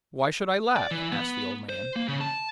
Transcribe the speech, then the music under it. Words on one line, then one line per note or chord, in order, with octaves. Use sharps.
'Why should I laugh?' asked the old man.
D5
E3
B3
C5
A#3
C#3
A5